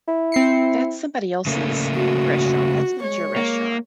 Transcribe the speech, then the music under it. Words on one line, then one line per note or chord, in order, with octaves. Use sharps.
that's somebody else's restaurant, that's not your restaurant.
E4
C4 C7 C#7
C#3 A3 A#3
F#4
G#3 C#5
A#3